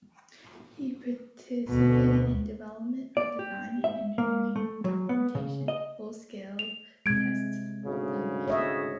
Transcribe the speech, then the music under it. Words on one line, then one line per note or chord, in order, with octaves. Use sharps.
He participated in development of design and engineering documentation, full-scale tests of the Mir.
D2 B2
D5
G4
E5
A#3
A3
F#3
B3
C#3
D#5
F7
C3 G#3 G#6 D7
D2 G#2 C#3
C#5 D#5 E5